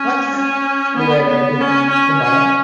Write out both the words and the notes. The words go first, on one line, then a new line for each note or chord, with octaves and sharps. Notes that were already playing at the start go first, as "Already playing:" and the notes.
What's the weather in Humarock?
Already playing: C#4
C#4
B3
B3
C#4
C#4
C#4